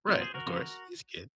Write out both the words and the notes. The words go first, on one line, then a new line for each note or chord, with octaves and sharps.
Right, of course, he's a kid.
A#2 F#3 C4 F4
G#4 C5
F#4 A#4
F2 C#3 F3 G#3